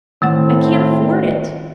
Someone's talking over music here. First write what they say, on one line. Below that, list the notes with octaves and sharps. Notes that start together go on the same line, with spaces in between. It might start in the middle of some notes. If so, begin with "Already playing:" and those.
I can't afford it.
A2 D#3 A3 C4 F#5